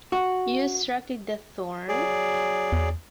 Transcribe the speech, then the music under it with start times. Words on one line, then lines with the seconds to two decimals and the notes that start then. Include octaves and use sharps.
You extracted the thorn?
0.12 F#4
1.88 F#3 G#4 D5
2.72 E2